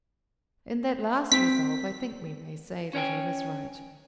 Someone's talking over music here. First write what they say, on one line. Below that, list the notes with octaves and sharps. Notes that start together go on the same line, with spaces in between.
In that last resolve I think we may say that he was right.
C4 B6
C#4 C#5 G5 G#5